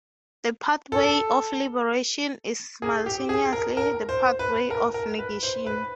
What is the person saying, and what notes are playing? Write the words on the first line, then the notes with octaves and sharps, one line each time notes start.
The pathway of liberation is simultaneously the pathway of negation.
A4
G#4
G4
G#4
A#4
A#4
C5
B4
A#4
A#4
B4
C5
B4